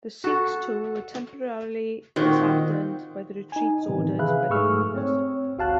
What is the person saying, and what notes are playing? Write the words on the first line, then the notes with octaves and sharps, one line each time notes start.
The Sikhs too were temporarily disheartened by the retreats ordered by their commanders.
F#4 A4
A#2 D#3 C4 F#4
D#4 G#5
A2 C3 D#3 E3 B3
G#4 B4 E5 F5 B5 F#6
G#2 A3 G#4 C#6 E6 F6
C4 C#5
G1 C#2 F#4 F5 A5 F#6